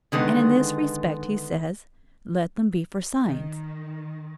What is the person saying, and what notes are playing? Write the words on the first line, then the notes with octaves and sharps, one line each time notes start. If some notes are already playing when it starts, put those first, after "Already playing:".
And in this respect he says: "Let them be for signs."
D3 D#3 G#3 B3
D#3